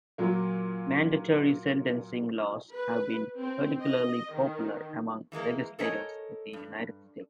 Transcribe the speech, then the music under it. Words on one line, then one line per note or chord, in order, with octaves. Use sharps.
Mandatory sentencing laws have been particularly popular among legislators in the United States.
A#2 F#3 A#3
B4
C4
D#5
D#3
E3 G#3 A#3 A#4
A4 A#4 C#5 D#5 G#5 A#5
G2